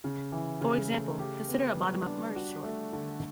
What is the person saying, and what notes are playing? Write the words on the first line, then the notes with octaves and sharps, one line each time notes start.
For example, consider a bottom-up merge sort.
C#3
E3
C#3
A3
G4
B3
G3
D4
F#4
A3
D3